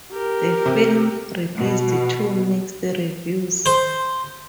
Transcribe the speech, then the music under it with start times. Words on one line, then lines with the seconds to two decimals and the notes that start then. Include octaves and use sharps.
The film released to mixed reviews.
0.12 G4 A#4
0.66 C3
1.57 B2
3.66 C5